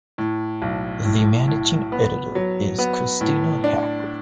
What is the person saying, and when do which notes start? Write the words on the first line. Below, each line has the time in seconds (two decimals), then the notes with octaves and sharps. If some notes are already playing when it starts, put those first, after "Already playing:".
The managing editor is Kristina Hacker.
0.18 A2
0.62 B1
1.05 A2
1.48 A2
1.92 B3
2.35 F#3
2.78 B3
3.21 A2
3.64 D4